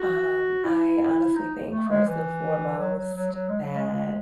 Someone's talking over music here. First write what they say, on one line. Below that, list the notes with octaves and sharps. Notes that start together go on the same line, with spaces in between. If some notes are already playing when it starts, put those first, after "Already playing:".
Um, I honestly think, first and foremost, that
Already playing: F#4
E4
D#4
A3
G#3
E3
F#3
F#3
F#3
F#3
G#3
F#3
G#3